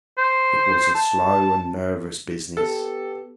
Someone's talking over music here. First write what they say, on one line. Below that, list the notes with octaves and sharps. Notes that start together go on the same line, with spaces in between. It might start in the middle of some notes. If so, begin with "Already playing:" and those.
It was a slow and nervous business.
C5
A5
B3 G4 A4